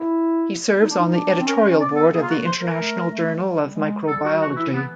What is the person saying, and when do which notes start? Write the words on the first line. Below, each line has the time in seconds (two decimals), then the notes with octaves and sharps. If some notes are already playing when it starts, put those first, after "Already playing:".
He serves on the Editorial board of the International Journal of Microbiology.
Already playing: E4
0.81 D#4
0.90 D4
0.98 D#4
1.13 D4
1.40 C4
1.46 C#4 A#4
1.68 C#4
1.79 D5
1.90 B3
1.95 A4
2.12 A#3 G#4
2.21 F4
2.28 F#4
2.44 C5
2.60 A#4
2.77 A3
3.10 A3
3.42 G3
3.74 G#3
4.07 G3 A4
4.24 F#4
4.40 E3 F#4
4.56 E4
4.73 B3